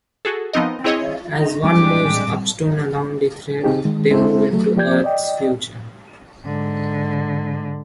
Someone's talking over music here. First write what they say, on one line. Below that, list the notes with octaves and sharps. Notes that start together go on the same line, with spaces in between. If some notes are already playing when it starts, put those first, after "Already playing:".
As one moves Upstone along the thread, they move into Earth's future.
F#4 G#4 A4
F3 B3 C4 D#4 A#4 D#5
C4 E4 G#4 C#5 D#5
G3 G#3 C4 D4 G4 D6
C#3 C4 D#4 G4 G#4
D#3 G#3
G#3 C4 E4 A4 C5 E5
F#3 A3
F3 A#3 G4 D5 G6 G#6
D5 D#5 G5
G#2 D3